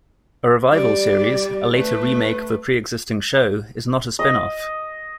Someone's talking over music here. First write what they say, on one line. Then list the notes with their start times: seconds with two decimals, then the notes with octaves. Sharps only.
A revival series, a later remake of a preexisting show, is not a spin-off.
0.71 G3 D5
1.75 A3 B4
4.19 D#5